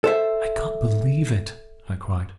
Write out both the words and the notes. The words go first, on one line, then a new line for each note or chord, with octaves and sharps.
"I can't believe it," I cried.
A4 C5 E5